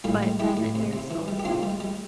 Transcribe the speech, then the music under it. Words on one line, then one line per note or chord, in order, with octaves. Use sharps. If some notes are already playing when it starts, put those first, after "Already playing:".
but then there's also
A2 G3 A#3
G3
G3 E4 G4
A2
C3
C3
E3
G3
G4
C3 D4 F4
G3
G3